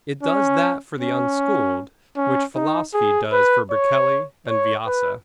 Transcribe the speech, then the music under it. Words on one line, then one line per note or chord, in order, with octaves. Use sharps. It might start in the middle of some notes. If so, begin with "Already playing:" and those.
It does that for the unschooled, which philosophy does for Berkeley and Viasa.
C#4
C#4
C#4
D#4
G#4
B4
C#5
C#5
B4